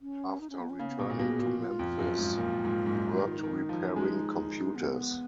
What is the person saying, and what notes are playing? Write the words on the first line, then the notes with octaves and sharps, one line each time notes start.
After returning to Memphis, he worked repairing computers.
C#4
D#4
C#4
B3
C#4
C#3 A#3
B3
B2 A#3
A#2
B2 F#4
G#4
A#2 F#4
F4
F2
F#2
G#2
A#2
G#2
G#2
F#2
D#3 D#4
F4
D#3 D#4
F3
G#3
B3